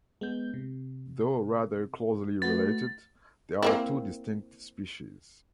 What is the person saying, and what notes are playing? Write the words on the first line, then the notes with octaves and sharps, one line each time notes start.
Though rather closely related, they are two distinct species.
G#3 B3 G6
C3
A3 F#4 B4 A6
A#3 C4 E4